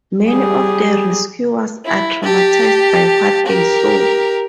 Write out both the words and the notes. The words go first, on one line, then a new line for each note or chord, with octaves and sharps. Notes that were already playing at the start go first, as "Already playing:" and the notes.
Many of the rescuers are traumatized by what they saw.
G3 G#4
E4
G4 A5
G4 A#4